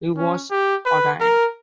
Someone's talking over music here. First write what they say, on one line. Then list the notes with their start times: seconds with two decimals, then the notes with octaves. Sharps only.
He was ordained.
0.17 C#4
0.51 G4
0.86 B4
1.20 A#4